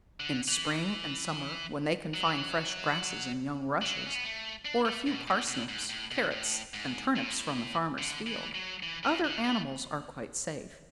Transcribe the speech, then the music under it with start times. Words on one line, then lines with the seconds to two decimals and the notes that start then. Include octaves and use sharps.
In spring and summer, when they can find fresh grasses and young rushes, or a few parsnips, carrots, and turnips from the farmers' fields, other animals are quite safe.
0.20 D3
0.48 E3
2.14 F#3
3.82 F#3
4.06 C#4
4.15 B3
4.24 A3
4.65 D4
4.85 A3
5.07 B2
5.28 A2
5.48 B2
5.69 G#2
5.90 A2
6.11 B2
6.31 A2
6.74 G#2
7.16 A2
7.98 D3
8.27 E3
8.55 F#3
8.83 E3
9.03 A2
9.24 D3
9.44 A3